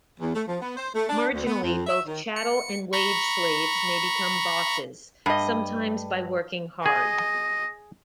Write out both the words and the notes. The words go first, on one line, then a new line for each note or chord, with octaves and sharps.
Marginally, both chattel and wage slaves may become bosses; sometimes by working hard.
E2
A3
F3
B3
C5
A3
D4
D2
B3
F2
E5
D#3
C#7
A#5 B5 C#6
G2 D#5
G#4 D#5